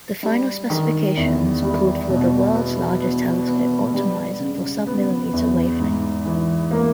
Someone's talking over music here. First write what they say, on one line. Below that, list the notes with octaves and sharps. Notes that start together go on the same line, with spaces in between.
The final specifications called for the "world's largest telescope optimised for submillimetre wavelengths".
G3
D#3
E2
G3
B2
B3
B3
B3
G3
C#3
B3
E2
G#2
E3
A#3